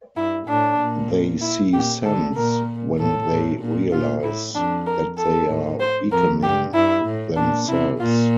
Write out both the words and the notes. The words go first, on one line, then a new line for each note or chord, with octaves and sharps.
They see sense when they realise that they are weakening themselves.
G2 E4
A2 D4
A#2
E4
A#2 G4
D3 A4
A#2 A#4
A2 A4
A2
A#2
A#2 F4
A2 E4
F2 D4
A#4
A4
A2
C5
F2 A#4
G2 G4
G2 E4
A2
A#2 D4
C3 E4
A#2 F4